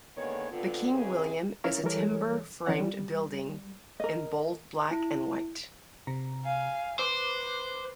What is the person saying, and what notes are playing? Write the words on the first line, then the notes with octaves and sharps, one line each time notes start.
The King William is a timber-framed building in bold black and white.
D3 D#3 G#3 A#3 B3 C#5
D3 B3 C4 F4
D#2 C#3 E3 C4 G#4 B4
C#4 E4 A#4 C#5 F5 A#5
E3 G3 A4 A#4 C#5
E2 E3 C#4 C#5 F#5
G3
A#4 D#5
E4
C3 A#5
F5 G#5
B4 C5 D6